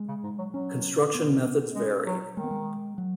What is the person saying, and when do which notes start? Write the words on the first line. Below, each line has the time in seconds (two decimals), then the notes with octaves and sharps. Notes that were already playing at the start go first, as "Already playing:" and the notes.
Construction methods varied.
Already playing: G#3
0.08 C#3
0.24 G#2
0.39 F#3
0.53 F#3 C#4
1.15 B3
1.46 B3
1.75 G#3 C#4
2.06 F#3
2.36 D#3 G#3
2.44 B3
2.51 G#3
2.98 F#3